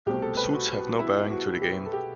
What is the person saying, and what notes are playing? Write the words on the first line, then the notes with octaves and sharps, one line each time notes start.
Suits have no bearing to the game.
C2 B2 A3 C4 G4
A4
B4
F#4
F#4
E4
F#4
G4
A4
G4